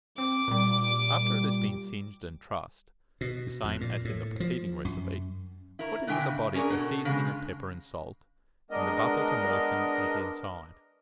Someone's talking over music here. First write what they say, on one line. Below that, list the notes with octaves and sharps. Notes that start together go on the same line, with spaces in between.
After it has been singed and trussed, the same as in the preceding recipe, put into the body a seasoning of pepper and salt, and the butter to moisten it inside.
C4 D6
A#2 G3
B2
F2
A#2
A2
F3
F#2
E4 A#4
B2 D3 B3 E5 G5 G#5
C#3
C#4 D4 G#4 A#4
B2 A4
C#3 G#3
G#3 B3 D4 A#4 D#5